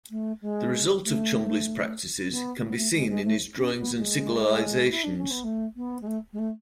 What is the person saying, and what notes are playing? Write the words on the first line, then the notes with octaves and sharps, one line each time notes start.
The results of Chumbley's practices can be seen in his drawings and sigillisations.
A3
G#3
A3
B3
A3
B3
A3
G#3
G#3
A3
C#4
B3
G#3
E4
D4
C#4
B3
A3
B3
G#3
A3
G#3
A3